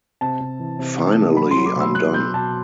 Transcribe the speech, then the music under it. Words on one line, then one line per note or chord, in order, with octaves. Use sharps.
Finally, I'm done!
C3 A5
C3
E3
C3
E3
E3
F#3 B5
C6
F#3
D6
B2
E6
B2 F#6
B2 G6
B2 A5